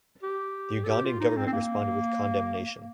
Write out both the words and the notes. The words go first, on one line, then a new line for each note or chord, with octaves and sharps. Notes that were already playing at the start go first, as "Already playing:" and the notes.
The Ugandan government responded with condemnation.
G4
A4
G4
F4
D#4
C4
C4
A#3